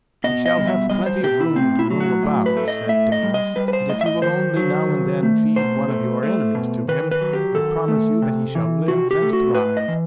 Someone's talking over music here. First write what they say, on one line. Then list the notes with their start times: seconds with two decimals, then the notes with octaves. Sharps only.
"He shall have plenty of room to roam about," said Daedalus; "and if you will only now and then feed one of your enemies to him, I promise you that he shall live and thrive."
0.24 B2 D#5
0.46 D#5
0.57 G3
0.67 E5
0.90 G3 D#5
1.06 C5
1.23 B2 G4
1.41 E4
1.56 A2 C4
1.79 E4
1.90 F#3
2.00 F#4
2.23 A2
2.46 B4
2.57 A3
2.68 D#5
2.89 A2 E5
3.12 D#5
3.23 G3
3.34 D#5
3.56 G3 B4
3.68 B4
3.73 C5
3.89 A2 D#5
4.01 E5
4.06 D#5
4.22 D#3 C5
4.56 F#3
4.89 D#3
5.23 A3
5.56 B2 C5
5.88 A3
6.23 A3
6.55 B2
6.88 D#3 B4
7.11 B4
7.21 F#3
7.33 G4
7.55 D#3 A4
7.88 A3
8.22 C3
8.55 E3
8.88 C3 F#4
9.11 G4
9.22 A3
9.33 F#4
9.54 A2 B4
9.77 D#5
9.88 E3